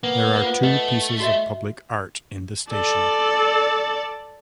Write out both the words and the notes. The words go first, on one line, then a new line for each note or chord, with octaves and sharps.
There are two pieces of public art in the station.
A#3 B3
F4 C5
A3 D#5
F#4 D#5 E5
A4 D5